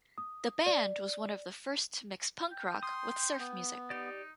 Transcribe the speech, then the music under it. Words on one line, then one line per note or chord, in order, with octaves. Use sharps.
The band was one of the first to mix punk rock with surf music.
D#6
D5
G5
C6 D#6
B3
D#4 G4 D5